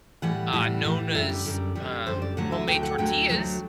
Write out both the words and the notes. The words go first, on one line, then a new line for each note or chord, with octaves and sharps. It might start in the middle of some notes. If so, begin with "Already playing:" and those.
uh, Nona's, um, homemade tortillas.
A2 E3 G3 F#5
A2 E3 G3
A2 E3 G3
F#2 D3 G3 E5
D5
F#2 D3 G3
F#2 D3 G3
F#2 D3 G3 C5
D5
D2 D3 F#3 A3 F#5
E5
D2 D3 F#3 A3 G5
F#5
D2 D3 F#3 A3 G5
D2 D3 F#3 A3